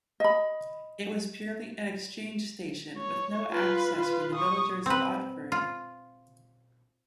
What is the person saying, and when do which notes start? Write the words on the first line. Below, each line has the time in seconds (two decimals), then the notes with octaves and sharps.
It was purely an exchange station, with no access for the villagers of Otford.
0.20 D#5 B5
2.97 C#5
3.51 F4 B4
3.93 F4 B4
4.35 C#6 D#6
4.86 C4 B4
5.52 F4